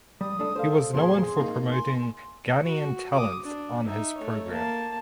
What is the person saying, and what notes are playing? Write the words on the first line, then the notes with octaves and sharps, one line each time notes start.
He was known for promoting Ghanaian talents on his program.
G3 D#6
A3 D4 A4
A4 C5 F5
F2 A#2 F3 G#4 C6
A#3 D#4
G#5 C6
F#4
D6 D#6
D4
D#4 E5
A3 C#5
A#3 A5